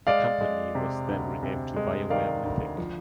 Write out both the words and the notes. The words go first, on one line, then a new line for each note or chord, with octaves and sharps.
The company was then renamed to BioWare Mythic.
G#3 D5 F5
G#3
C3
D2
C3
G#3
D#3 D5 F5
D2
F3